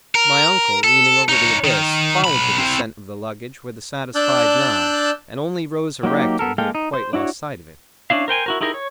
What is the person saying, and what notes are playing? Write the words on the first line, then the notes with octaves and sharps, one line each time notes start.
My uncle, leaning over the abyss, followed the descent of the luggage with a satisfied nod, and only rose erect when he had quite lost sight of it.
A#4
A4
D#4 C#5
D#3
B1 B5
C4 E4
D4 D5 A5 E6 F#6 G6
F#3 A#3 D#4 G4
B3 A4 A#4
G#3 A#3 A4 F5 G5
D#4
C5
D4 E4 F#4 C#5
C#4 D4 E4 F5
A#4 C5 G5 G#5
E4 F#4 A#4
D#4 E4 G4 G#4 A#4
C#5